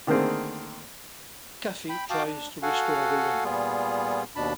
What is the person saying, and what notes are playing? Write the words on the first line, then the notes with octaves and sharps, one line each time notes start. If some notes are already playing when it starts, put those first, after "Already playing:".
Caffey tries to restore the ring.
D3 D#3 A3 A#3 C4 G#4
G5 B5
F#4 F5 G5 A5 D6 D#6
D4
F#4 A4 F5 F#5 G#5
A#2 G3 B3 F4 G#4
D#2 B2 D4 A5 B5